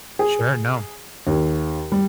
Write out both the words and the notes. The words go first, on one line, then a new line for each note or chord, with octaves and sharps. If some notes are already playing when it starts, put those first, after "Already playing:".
Sure, no.
G#4
D#2
G3